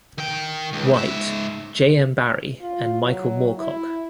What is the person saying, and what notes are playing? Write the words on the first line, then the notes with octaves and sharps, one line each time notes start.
White, J. M. Barrie, and Michael Moorcock.
D#3 G5
C#2
G#2 E5
F4
F#3
E4